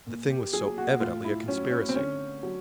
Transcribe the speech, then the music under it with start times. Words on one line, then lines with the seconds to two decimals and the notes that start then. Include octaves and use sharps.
The thing was so evidently a conspiracy.
0.07 A#2
0.30 G4
0.53 F#3 G#4
0.78 F#4
1.00 A2 F4
1.24 E4
1.48 F#3 C#4
1.71 C#4
1.89 C4
1.95 D3 C#4
2.43 F#3